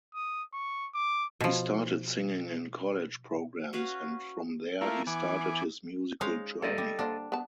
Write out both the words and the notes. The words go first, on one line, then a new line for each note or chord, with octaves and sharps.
He started singing in college programs and from there he started his musical journey.
D#6
C#6
D6
B2 F3
C#4 F#4 B4 F5
A3 A#3 E4 F4 A#4
E3 B3 G#5 D6
G#3 C#4 D#4 C5 F5
D3 A#3 E4 A4 D5 D#5
G3
D3 A#3 D4 C5
B3 A5